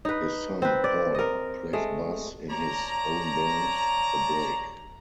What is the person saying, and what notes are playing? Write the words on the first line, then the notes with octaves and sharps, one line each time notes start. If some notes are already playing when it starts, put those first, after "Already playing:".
His son, Paul, plays bass in his own band, The Break.
D#4 B4
C4 B4
D5
A#4 D#5
G#3 A3
C#5 D5 A5 A#5